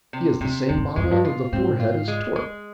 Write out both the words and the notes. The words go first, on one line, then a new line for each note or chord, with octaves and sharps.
He has the same modelling of the forehead as Torp.
C3
G#2 C3
F2 C3
G2
G2 G#3
F2
G2
F4
G#2 C4
F4
G#3
G#3